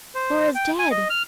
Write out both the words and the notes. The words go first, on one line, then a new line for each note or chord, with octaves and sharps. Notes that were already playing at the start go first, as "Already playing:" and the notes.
"Flora's dead!"
C5
G5
G#5
D#5
F6